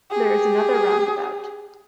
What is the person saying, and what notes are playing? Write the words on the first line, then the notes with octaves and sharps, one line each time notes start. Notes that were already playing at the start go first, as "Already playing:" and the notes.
There is another roundabout.
G4 G#4